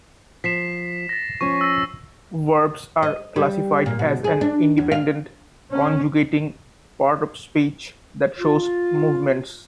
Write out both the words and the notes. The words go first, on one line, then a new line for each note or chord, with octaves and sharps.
Verbs are classified as an independent, conjugating part of speech that shows movements.
F3 B6 C7 E7
A6 A#6
F3 C#4 C#6
E6 A#6
D#5
G3
A#2
B2
G#4
D4
E2
F5
C#4
F4